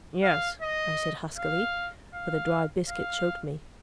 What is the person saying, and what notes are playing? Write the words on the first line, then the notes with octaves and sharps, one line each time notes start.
"Yes," I said huskily, for the dry biscuit choked me.
F5
D#5
F5
F5
F5